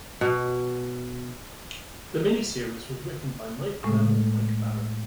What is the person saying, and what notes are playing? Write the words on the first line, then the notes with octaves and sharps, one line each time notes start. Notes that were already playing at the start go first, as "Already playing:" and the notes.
The mini-series was written by Mike Grell and Mike Baron.
B2
A2 G#3 A3